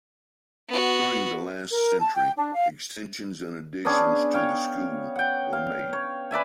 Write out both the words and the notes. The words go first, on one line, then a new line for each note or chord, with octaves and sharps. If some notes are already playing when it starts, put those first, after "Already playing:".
During the last century extensions and additions to the school were made.
B3 F#4
A#4
A5
G5
D4
F5
B3 C#4 D4 G#4
C#5 F5 G5
F#5 G5
F5
C#5
B4 D5 E5 G#5